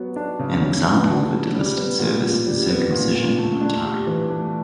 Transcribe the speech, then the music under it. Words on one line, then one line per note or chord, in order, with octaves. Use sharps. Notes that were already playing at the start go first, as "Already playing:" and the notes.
An example of a delisted service is circumcision in Ontario.
Already playing: F#3 B3
D4
C#3
F#3
B3
D4
C#3
G3
B3
A#2
A#2
G3
B3
A#2
A#2
A3
D4
G4
E3
A3